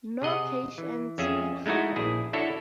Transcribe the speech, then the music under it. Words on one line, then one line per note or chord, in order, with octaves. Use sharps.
No patients were harmed.
C3 G#4 D#5 F#5
E3
F2 C#4 G#4 E5
G#3 A3 D#4 E4 F#4
A#1 E4 G#4
D4 E4 F#4 A4 C#5 E5